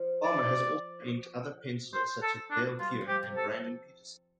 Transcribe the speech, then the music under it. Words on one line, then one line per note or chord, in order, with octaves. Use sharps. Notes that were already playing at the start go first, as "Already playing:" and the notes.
Farmer has also inked other pencillers, such as Dale Keown and Brandon Peterson.
Already playing: F3
D5
C5
A4
D4
G3 F4
F3
G4
C3
A4